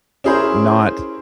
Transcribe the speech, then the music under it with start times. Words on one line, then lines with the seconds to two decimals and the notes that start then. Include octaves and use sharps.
not v
0.24 C#4 E4 G#4 A#4 C5